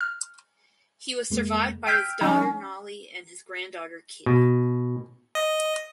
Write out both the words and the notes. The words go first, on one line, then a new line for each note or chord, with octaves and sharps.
He was survived by his daughter Nali and his granddaughter Kitty.
F6
F2 G#3 A#3
G5 E6 F6 G6 B6 D7
F3 G3 C#4 D#4
B2
D#5